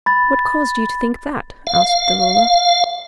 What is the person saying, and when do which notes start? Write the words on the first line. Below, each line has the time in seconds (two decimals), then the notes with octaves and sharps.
"What caused you to think that?" asked the Ruler.
0.06 B5 A6
1.67 F5